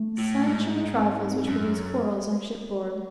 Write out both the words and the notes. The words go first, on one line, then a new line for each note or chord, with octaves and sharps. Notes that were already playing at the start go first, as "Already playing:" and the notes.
Such are the trifles which produce quarrels on shipboard.
Already playing: A3
A2
G#2
C4
F#2 C#4